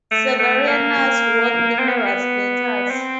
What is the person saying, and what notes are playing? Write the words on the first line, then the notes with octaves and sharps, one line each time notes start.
Severianus wrote numerous letters.
A3
A3
A#3
C4
B3
A#3
B3
C4